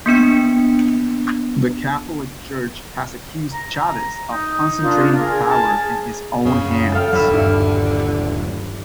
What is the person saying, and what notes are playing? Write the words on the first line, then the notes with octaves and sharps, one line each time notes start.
The Catholic Church has accused Chavez of concentrating power in his own hands.
A#3 B3 D4 C#7
A#5
D#4
D4 F4 A#4
G#4 A#4 G#5
A5
F#2 C#3
A4 F5 G5
D#1 D3 F#3 F5 B5 E6
G2 E4